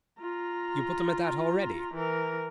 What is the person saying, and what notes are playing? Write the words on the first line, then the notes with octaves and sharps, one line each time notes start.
You put them at that already?...
F4 A#5
E3 A#4